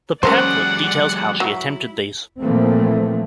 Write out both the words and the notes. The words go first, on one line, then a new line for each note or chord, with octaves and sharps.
The pamphlet details how she attempted these.
F#3 G#3 C#4 A#4 C5 D5 F#5
F#3 E4
A#2 E3 F3 A3 A#3 C4